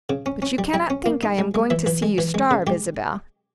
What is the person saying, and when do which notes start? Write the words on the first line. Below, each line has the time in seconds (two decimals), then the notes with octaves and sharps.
But you cannot think I am going to see you starve, Isabel.
0.10 C#3
0.26 C#4
0.42 C#4
0.58 G3
0.74 G3 G5
0.90 C#4
1.06 A#3
1.23 D#4
1.38 G#3
1.54 G#3
1.70 E3 E5
1.86 E3
2.02 G#3
2.18 E3
2.34 G#3
2.51 C#3
2.67 G#3 G4